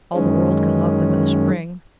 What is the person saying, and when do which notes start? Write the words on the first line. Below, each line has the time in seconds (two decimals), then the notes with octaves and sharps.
All the world can love them in the spring.
0.14 F#2 D#3 G#3 C#4